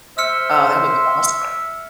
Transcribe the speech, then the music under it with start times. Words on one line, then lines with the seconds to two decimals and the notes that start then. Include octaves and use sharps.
oh, that would be awesome.
0.18 C5 E5 E6 F6 C#7